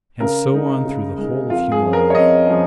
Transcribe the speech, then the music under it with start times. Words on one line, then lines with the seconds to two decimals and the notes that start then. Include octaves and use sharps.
And so on through the whole of human life.
0.20 C#3 A#4
0.53 G#3 D#4
0.85 C#3
1.17 G#3 D#4
1.50 F2 F4
1.72 G#4
1.83 F3 C#4
1.93 A#4
2.10 C#5
2.15 F2 D#5
2.47 F3 C#4